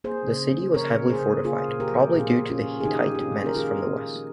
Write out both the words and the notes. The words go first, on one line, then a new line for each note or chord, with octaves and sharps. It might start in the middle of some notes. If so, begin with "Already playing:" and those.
The city was heavily fortified, probably due to the Hittite menace from the west.
A#3 G#4 C5
C#3
F3
C#3 A#4 C#5
A#3
G#4 C5
C#3
A#3 F4 G#4
A#2
G4 A#4
F3
A#2 F4 G#4
A#3
C#4 F4
A#2
G#4
D#3 D#4 G4
G#3
G4
C#4 F4
G#3
A#4
D#3 F4 G#4